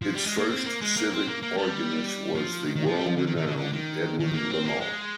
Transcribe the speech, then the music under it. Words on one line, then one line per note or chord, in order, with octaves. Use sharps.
Its first Civic Organist was the world-renowned Edwin Lemare.
F3
G3
G#3
A#3
C4
A#3
G#3
A#3
C4
A#3
A#3
G3
F3
D#3
D#3
F3
G3
F3
D3
D#3
D#3
D3
D3
D#3
D#3
A#3
C4
A#3
G#3